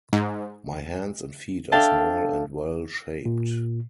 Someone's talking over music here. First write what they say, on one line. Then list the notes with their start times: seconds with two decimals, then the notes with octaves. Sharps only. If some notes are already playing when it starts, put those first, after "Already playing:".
My hands and feet are small and well-shaped.
0.13 G#2
1.72 D4 A4 E5 F5 G5 A5
3.26 A#2